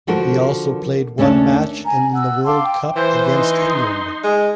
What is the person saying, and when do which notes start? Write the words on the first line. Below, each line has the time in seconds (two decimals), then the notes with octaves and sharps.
He also played one match in the World Cup against England.
0.07 D3 F3 F#4 A4 A#4
1.18 D#2 A3 C#4 D4 C#5 A5
1.85 G#5 A#5
2.12 F#5 E6
2.45 F5 A5 C6 D6
2.64 G5
2.96 E3 C5
3.28 D#4 C6
4.24 G#3